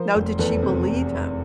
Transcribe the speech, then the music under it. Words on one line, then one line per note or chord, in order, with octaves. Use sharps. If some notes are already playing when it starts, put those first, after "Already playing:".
No. Did she believe him?
Already playing: F3 A#4 C5
F1
E2 A4 B4
C3